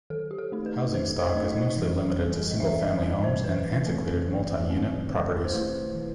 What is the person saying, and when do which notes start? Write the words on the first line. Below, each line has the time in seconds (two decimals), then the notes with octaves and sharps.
Housing stock is mostly limited to single family homes and antiquated multi-unit properties.
0.10 D#3 A4
0.31 G4
0.38 A4
0.52 A3 D#4
0.66 B4
0.94 D#3 C5
1.22 C5
1.29 D#5
1.35 A3 D#4 C5
1.50 D#5
1.77 E3
2.19 G3 C4
2.51 D#5
2.60 E3 E5
2.81 D#5
3.02 G3 C4 D#5
3.24 C5
3.44 E3 B4
3.86 A3 C4
4.27 E3
4.69 A3 C4
5.10 D#3
5.45 C5
5.52 A3 E4 B4
5.95 D#3